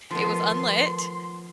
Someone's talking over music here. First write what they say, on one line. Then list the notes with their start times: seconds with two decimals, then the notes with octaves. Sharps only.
it was unlit,
0.11 D#3 F3 F#3 A3 B3 C6